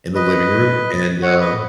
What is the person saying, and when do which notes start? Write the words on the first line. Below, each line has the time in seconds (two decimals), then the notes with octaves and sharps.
in the living room, and, um
0.15 B4 D#5
1.22 C#5 F#5
1.40 B4 D#5